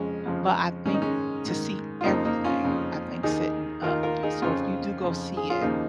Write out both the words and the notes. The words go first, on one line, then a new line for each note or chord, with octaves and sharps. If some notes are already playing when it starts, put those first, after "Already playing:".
but I think to see everything I think sitting up So if you do go see it
Already playing: F2 C#3 F3 G#3 C#4
F2 C#3 F3
G#2 D#3 C#4
D#4
G#3 C#4
G#2 D#3
F4
F2 C#3 F3 A#3 D#4
A#3 D#4
C#4 F4
F2 C#3 F3
D#2 D#3 D#4 G#4
D#2 D#3 F4 A#4
F4 A#4
D#4 G#4
F2 C#3 F3 C#4 F4
F2 C#3 F3
G#4
F4
D#2 C#3 F3 A#3 D#4